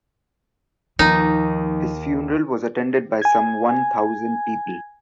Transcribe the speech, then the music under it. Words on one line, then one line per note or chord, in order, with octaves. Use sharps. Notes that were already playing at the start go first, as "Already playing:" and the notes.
His funeral was attended by some one thousand people.
D#2 F3 D#4 C#6
G#5 G#6